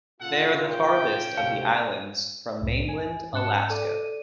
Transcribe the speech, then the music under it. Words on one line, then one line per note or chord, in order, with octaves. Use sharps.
They are the farthest of the islands from mainland Alaska.
A#2 C#3 F4 A4 F#5
C#4 G5
D2 C3 F5
C2 F#2 A2
G#5
G#2 C#4 A5 F#6 C#7 E7
A4 D5 D#7